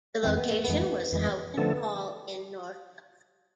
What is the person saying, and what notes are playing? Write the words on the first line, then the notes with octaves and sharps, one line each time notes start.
The location was Houghton Hall in Norfolk.
F2 E3 G#3 C4
B3
A3
F2 E3 G#3 B3
F2 E3 G#3
D3 F3 A3 B3 D4 A4